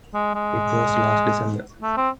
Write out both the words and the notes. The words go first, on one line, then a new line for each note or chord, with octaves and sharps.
It was last December.
G#3
G#3
A3
C4